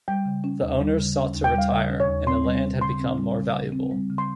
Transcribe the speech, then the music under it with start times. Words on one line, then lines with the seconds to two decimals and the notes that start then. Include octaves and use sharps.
The owners sought to retire, and the land had become more valuable.
0.08 G3 G5
0.25 C#3
0.44 C#4
0.62 D#2
0.81 G3
1.00 C#3
1.17 C#4
1.35 D#2
1.44 G5
1.54 G3 F5
1.72 C#3 D#5
1.90 C#4
2.00 C#5
2.08 D#2
2.27 C4 C6
2.45 G3
2.63 C#3
2.81 C#3 C6
3.00 C4
3.18 G3
3.36 C#3
3.54 C#3
3.72 C4
3.91 G3
4.10 C#3
4.18 C6